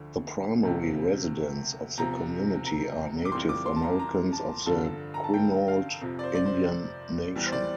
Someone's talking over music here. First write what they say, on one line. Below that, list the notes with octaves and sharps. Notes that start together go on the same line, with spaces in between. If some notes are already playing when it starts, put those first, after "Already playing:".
The primary residents of the community are Native Americans of the Quinault Indian Nation.
Already playing: D2 D3 F3
D2 C3 F3
E2 C3 F3 A#5
A#5
D6
F2 E3 G3 C6
D6
C6
A5
A#5
A#5
A5
G2 D3 F3 A5
A#5
A5
G5
F5
F2 C3 F3
D5
C5
D5
C5
E2 E3 G3
C5
D5